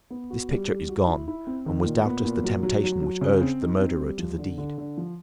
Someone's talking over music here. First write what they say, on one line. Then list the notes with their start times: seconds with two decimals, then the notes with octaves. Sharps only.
This picture is gone, and was doubtless the temptation which urged the murderer to the deed.
0.10 B3
0.30 F#4
0.49 G3
0.69 G3
0.89 F#4
1.07 E4
1.28 E4
1.47 C4
1.66 D#3
1.86 A#2
2.05 B3
2.25 A#2
2.44 F#3
2.63 F#3
2.84 F#3
3.02 F#3
3.21 C#3
3.41 C4
3.61 D#4
3.80 C4
4.00 G3
4.19 F3
4.38 D3
4.58 D3
4.78 D3
4.97 F3